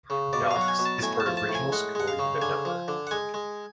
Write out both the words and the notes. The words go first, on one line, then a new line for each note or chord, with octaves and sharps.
Knox is part of Regional School Unit No.
C#3
B2 D5
F5
F#3
F#5
G#5
B2
A5
A2 G#5
A5
F3
A5
A2
G#5
G#3 F#5
G#3 F#5
F5
C#3
D3 G#5
F3
D3
F#5
G#3 G#5
G#3